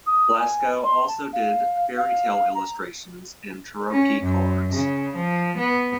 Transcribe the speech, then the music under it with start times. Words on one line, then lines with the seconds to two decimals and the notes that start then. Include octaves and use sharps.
Blasco also did fairy tale illustrations and tarrocci cards.
0.07 D#6
0.39 G#5
0.84 C6
1.08 A5
1.33 F5
1.97 F5
2.55 A#5
3.92 C#4
4.24 F#2
4.72 C#3
5.16 F3
5.58 B3